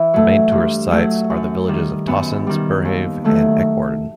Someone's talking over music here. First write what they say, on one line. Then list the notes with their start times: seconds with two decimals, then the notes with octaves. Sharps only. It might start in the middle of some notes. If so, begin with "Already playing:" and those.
The main tourist sites are the villages of Tossens, Burhave and Eckwarden.
Already playing: E3 E4
0.14 F#3 A3
0.52 G2
0.91 F#3 A3
1.30 F#2
1.69 D#3 G3
2.07 F#2 B3
2.47 D#3 G3
2.85 D#2
3.24 D#3 F#3 A3